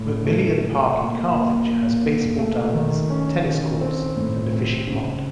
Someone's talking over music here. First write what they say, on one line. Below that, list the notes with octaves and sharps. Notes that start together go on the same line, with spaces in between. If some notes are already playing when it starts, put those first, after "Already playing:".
McMillian Park in Carthage has baseball diamonds, tennis courts, and a fishing pond.
Already playing: A2
A3
C3
A#3
A#2
A#3
C3
A3
D#3
C#4
D#3
C4
A2
C4
C#3